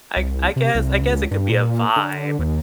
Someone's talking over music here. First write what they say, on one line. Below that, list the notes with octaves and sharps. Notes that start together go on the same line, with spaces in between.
I I guess I guess it could be a vibe.
C2
C3
C2
C#2
G2
A#2
D3
D#2